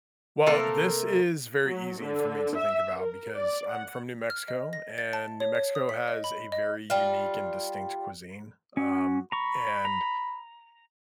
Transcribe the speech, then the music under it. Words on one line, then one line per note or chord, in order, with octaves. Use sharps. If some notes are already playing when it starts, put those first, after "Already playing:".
Well, this is very easy for me to think about, because I'm from New Mexico, and New Mexico has a very unique and distinct cuisine. Um, and
C3 A3 A#3 A4 A#4
F#3
D3
E5
A#4
D5
F#5
F6
D#5
A#6
A6
A5
C#5
C#5
D#6
B6
D#5
B5
D#5
G3 F4
C#4 F#4
A#5 B5 C#6
A#5